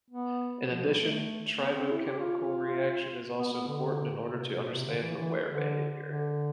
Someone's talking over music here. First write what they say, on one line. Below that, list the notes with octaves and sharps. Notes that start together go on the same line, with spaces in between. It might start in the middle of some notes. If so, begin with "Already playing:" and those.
In addition, tribo-chemical reaction is also important in order to understand the wear behavior.
B3
F3
G3
A3
B3
C4
E4
G4
F4
B3
B3
D3
C3
B2
C3
D3
E3
E3
D3
D3